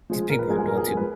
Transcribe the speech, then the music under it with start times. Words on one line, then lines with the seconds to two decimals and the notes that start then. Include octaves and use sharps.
These people are doing too much.
0.10 F3 G#3
0.29 A#2 A#4
0.39 B4
0.49 F3 G#3 A#4
0.58 G#4
0.68 A#2 A#4
0.77 G#4
0.86 F3 G#3 A#4
0.97 B4